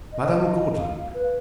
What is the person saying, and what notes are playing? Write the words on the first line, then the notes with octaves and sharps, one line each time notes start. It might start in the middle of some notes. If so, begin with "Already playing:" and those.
"Madame Gordeloup?"
D#5
F5
B4